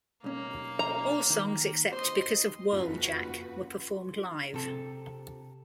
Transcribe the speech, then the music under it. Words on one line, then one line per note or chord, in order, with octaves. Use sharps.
All songs except "Because of Whirl-Jack" were performed live.
B1 A#3 C#4
A#5
D#3
C5 D#5 C6
F#1 F2 A#3 C#4 F4 F#4 B4
C3 A4